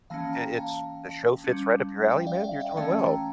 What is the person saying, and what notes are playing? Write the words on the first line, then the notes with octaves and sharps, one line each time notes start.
I it's the show fits right up your alley, man, you're doing well."
E3 A#3 C#4 F5 A5
G5 A#5
F5 A5
G3 C#4
E5 G5
D5 F5
D5 F5
E5 G5
E3 A3 C#4 F5 A5
G5 A#5